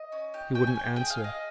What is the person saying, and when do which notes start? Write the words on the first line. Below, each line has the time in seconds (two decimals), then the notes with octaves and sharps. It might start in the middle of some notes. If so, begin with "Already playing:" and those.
He wouldn't answer.
Already playing: D#5
0.12 C#4
0.34 G4
0.55 C#4 G5
0.67 G#5
0.76 G4 G5
0.96 G#4 G5
1.10 F5
1.18 G#4
1.24 D#5